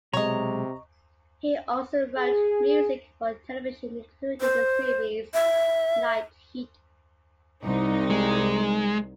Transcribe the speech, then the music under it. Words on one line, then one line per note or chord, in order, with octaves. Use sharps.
He also wrote music for television including the series "Night Heat".
B1 C3 G#3 C#5 D#5 A#5
G#4
C5
E5
C2 D#4
G#3